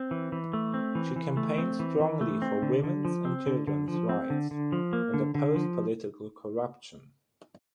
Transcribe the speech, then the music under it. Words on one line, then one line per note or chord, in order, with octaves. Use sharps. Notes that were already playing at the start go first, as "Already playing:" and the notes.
She campaigned strongly for women's and children's rights, and opposed political corruption.
Already playing: C4
E3
E3
A3
C4
E3
E3
A3
C4
E3
E3
A3
C4
D3
D3
F3
C4
D3
D3
F3
C4
D3
D3
F3
A#3
D3
D3
F3